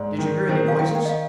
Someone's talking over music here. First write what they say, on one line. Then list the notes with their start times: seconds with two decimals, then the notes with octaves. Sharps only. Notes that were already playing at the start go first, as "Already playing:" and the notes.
"Did you hear any noises?"
Already playing: G#2 D5
0.19 D#3
0.49 D#3 C5
0.68 F5
0.79 D#3 G5
0.95 G5
1.05 D#5
1.09 F5